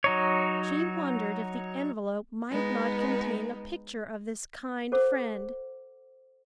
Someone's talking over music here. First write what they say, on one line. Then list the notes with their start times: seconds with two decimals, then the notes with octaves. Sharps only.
She wondered if the envelope might not contain a picture of this kind friend.
0.04 F#3 D#4 C#5
2.50 G#3 B3 D#4
4.92 A4 C5 F#5 D6